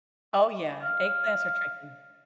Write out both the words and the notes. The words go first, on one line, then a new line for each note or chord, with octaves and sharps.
Oh, yeah. Eggplants are tricky.
F5